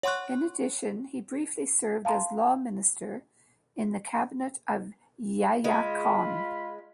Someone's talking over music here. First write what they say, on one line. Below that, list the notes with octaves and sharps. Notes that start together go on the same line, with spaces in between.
In addition, he briefly served as Law Minister in the cabinet of Yahya Khan.
C#5 F#5 C6 C#6 F#6
F5 A5 A#5 C6
G#3 F4 B5